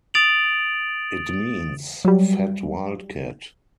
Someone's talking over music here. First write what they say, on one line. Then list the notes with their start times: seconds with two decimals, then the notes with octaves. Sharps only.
It means "fat wildcat".
0.14 D#6 A6 D7 F7 F#7
2.05 F#3 G3